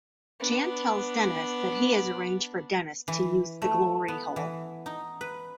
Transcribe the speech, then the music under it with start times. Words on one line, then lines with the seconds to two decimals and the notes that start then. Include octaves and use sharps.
Jan tells Dennis that he has arranged for Dennis to use the glory hole.
0.40 B3 D4
3.08 E3
3.62 A3
4.08 B3
4.36 E3
4.86 D#4
5.21 B4